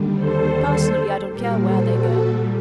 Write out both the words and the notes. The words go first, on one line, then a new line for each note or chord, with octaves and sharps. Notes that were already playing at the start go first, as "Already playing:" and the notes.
Personally, I don't care where they go.
Already playing: D#2 D3 G3
A4 C5
A#2 G3 G4 A#4
A4 C5
F#4 A4